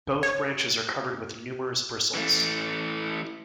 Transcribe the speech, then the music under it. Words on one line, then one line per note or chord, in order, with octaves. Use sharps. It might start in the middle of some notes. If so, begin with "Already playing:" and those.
Both branches are covered with numerous bristles.
C#5
E3 A3